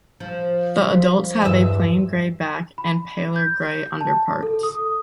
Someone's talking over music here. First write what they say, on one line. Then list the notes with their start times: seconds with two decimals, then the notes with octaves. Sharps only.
The adults have a plain grey back and paler grey underparts.
0.20 F3
0.92 C6 B6
1.42 E2 G2 D#5 E5 E7
2.78 B5
3.36 G6
4.01 A5
4.43 A4
4.63 D#6